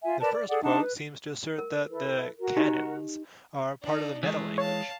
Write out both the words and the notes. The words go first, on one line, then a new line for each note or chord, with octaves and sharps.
The first quote seems to assert that the "canons" are part of the metalanguage.
F4 E5 G#5
A#4 B4 D5 A5
D5
G#4 A4 D5 F#5
D4 D#4 F#5 A5
B4
A#4
E4 A4 B4
F#4 A#4
D#4 G4 D#5
D4 D#4
E3 G#3 A3
C#5 F5 A5